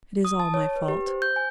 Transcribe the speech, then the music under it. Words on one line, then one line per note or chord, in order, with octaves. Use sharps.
It is all my fault.
D#6
A5
C#5
B4
G4
C5
G6
G#5